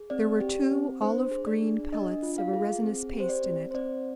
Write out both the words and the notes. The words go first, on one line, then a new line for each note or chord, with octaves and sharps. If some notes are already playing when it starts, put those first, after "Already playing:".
There were two olive-green pellets of a resinous paste in it.
Already playing: G#4
C4 D5
G4
C4
D4 C5
G#4
D5
D4
D4 D#5
F4
F5
G#4
C4
G4
C5
D5
C4
C5
C4 D5